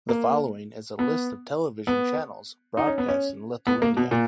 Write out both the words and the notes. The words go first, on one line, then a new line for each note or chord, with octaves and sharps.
The following is a list of television channels broadcast in Lithuania.
A#3
B3
B3
D#4
C#4
B3
C#4
B3
A#3
B2
A#2